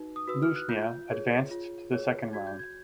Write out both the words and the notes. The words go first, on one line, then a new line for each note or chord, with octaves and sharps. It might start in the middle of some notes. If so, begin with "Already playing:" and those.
Lushnja advanced to the second round.
Already playing: D#4 F#4 B4
D#6
F#4 B4 E6
F6
F#6
F4 G6
G#4 C#5
F4
G#4 C#5
F#4 G#6
G6
G#6